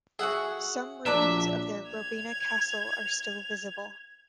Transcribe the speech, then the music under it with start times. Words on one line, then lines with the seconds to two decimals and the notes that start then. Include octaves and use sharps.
Some ruins of their Grobina castle are still visible.
0.19 F#4 G#4 E5 F#5
1.06 A#1 F#3 D4 D5 E5
1.89 G#6 F7